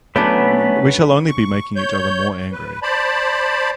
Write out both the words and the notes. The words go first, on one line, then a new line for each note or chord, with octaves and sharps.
We shall only be making each other more angry.
F#3 A3 B3 C#4 D4 B4 G5
C#6
C#5 G6
B4
C5 D5 A5 B5